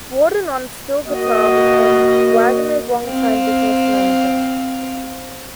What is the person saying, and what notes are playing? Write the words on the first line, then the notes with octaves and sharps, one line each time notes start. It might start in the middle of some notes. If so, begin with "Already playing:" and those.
Warden, on steel guitar, became Wagoner's long-time business manager.
A#3 F#4 D#5
C4 F5